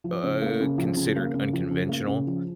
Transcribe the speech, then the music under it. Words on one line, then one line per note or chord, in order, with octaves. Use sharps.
uh, considered unconventional.
F3
C#3
A#3
C#3
F3
C#3
A#3
C#3
F3
C#3
A#3
C#3
F3